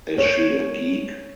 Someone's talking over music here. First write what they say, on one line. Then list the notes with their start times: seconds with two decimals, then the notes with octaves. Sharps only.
Is she a geek?
0.18 C#5